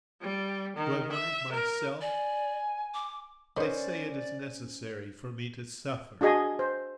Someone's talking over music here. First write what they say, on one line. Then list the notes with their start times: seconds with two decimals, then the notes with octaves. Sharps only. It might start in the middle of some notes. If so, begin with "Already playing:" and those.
Do I want it myself? They say it is necessary for me to suffer!
0.21 G3
0.76 D#3
1.12 E5
1.52 A#4
2.01 D5 G#5
2.94 D6
3.57 D#3 B3 C#4 C5 D5
6.21 D4 F#4 G#4 D#5 G#5
6.59 C5